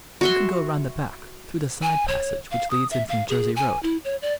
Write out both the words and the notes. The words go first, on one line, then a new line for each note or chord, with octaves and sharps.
"You can go round the back through the side passage which leads in from Jersey Road."
F#4 E5 C6
G#5
C#5
F5
D#6
E5
F5
G#4
G#5
E4
C#5
D5